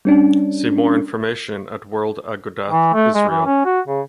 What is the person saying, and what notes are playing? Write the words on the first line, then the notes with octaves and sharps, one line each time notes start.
See more information at World Agudath Israel.
G3 C#4 D4
E3
A3
G#3
E3
C#4
F#4
C#3